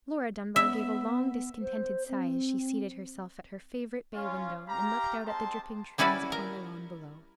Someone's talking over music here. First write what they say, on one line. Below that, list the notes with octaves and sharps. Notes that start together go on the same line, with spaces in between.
Laura Dunbar gave a long discontented sigh as she seated herself at her favourite bay-window, and looked out at the dripping trees upon the lawn below.
B3 E5
C5
C4
C#4 F4
G4 F5 A#5
G#3 C4 A5 C6
G3 C#4 E4 F#4 B4 D5
A#4